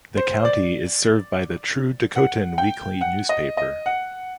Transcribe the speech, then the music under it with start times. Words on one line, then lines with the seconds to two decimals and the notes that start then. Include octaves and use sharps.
The county is served by the "True Dakotan" weekly newspaper.
0.17 C5
0.45 D5
2.16 F#5
2.58 G5
3.01 F#5
3.29 D#5
3.57 D#5
3.86 F#5